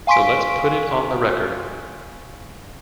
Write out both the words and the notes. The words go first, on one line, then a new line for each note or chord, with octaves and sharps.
So let's put it on the record.
F5 G#5 C6 C#6 B6 D7